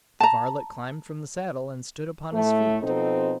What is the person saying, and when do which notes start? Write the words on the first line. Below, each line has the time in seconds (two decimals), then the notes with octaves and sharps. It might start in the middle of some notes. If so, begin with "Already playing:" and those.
The varlet climbed from the saddle, and stood upon his feet.
0.20 A5 A#5
2.33 A2 A3
2.83 B2 F3 C4 D#4 A4